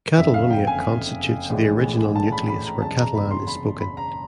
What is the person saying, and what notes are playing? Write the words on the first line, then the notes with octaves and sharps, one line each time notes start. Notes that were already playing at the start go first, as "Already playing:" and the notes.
Catalonia constitutes the original nucleus where Catalan is spoken.
F#1 F2 D3 E5
F5
G5
G#5
A#1 A2 E3 G#3
A5
B5
B5
A#5
F#1 E2 B2 G#3 A5
A#5
B5
C6
B5
B5
A#5